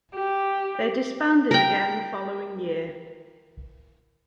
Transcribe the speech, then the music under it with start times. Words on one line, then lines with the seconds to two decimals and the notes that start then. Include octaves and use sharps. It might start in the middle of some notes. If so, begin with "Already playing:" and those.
They disbanded again the following year.
0.15 G4
1.51 A#4 G5